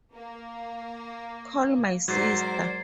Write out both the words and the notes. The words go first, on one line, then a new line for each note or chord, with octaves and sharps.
Call my sister.
A#3
G#2 F#3 A#4 C5 D5 G#6 A6 C7